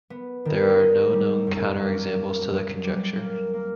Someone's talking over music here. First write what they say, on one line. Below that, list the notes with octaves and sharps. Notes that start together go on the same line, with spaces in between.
There are no known counterexamples to the conjecture.
B3
D#3
D#4
G3
F#2
A#3
A#3
F#3
G3
A#3
A#3